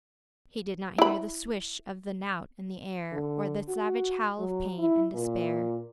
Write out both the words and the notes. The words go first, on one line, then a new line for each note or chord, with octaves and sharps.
He did not hear the swish of the knout in the air or the savage howl of pain and despair.
E4 B5
D3
F#4
F#3
E4
A#2